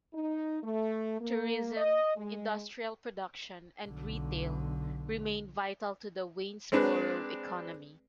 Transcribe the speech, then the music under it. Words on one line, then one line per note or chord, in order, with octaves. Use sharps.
Tourism, industrial production, and retail remain vital to the Waynesboro economy.
D#4
A3
A#3
D#5
G#3
B1 D3
G#3 C4 D4 B4 D5